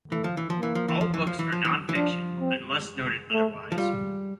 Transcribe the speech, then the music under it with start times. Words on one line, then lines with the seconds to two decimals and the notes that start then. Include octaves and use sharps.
All books are nonfiction, unless noted otherwise.
0.11 E3 A3
0.24 F3
0.37 E3
0.50 F3
0.58 E3 A#3
0.75 F3
0.88 E3
1.01 F3
1.14 E3
1.27 F3
1.39 E3
1.52 F3
1.65 E3
1.89 E3
1.95 F3 D4
2.40 C4
3.32 A3
3.72 F3
3.77 G3 F4